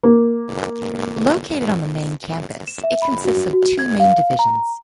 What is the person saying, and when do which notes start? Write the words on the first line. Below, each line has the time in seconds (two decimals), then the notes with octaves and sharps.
Located on the main campus, it consists of two main divisions.
0.03 A#3
2.67 E7
2.84 E5
3.02 B5
3.25 F#4
3.53 F#4
3.79 G#6
4.00 F5
4.39 A#5